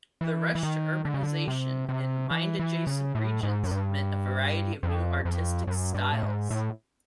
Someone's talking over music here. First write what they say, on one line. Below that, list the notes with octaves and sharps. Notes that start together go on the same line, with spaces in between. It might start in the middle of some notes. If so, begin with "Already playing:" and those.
The rush to urbanization in mine-adjacent regions meant a variety of new artistic styles.
E3
E3
D#3
D3
C#3
D3
C3
C3
E3
E3
C#3
A2
G#2
F#2
G2
F2
F2
F#2
G2
A2
G#2
A2